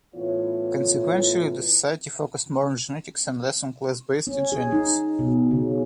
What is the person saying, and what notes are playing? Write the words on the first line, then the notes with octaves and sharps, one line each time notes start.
Consequentially, the society focused more on genetics and less on class-based eugenics.
A2 E3 B3 E4 F4 C#5
C#4
G#4
D#4
B2
C#3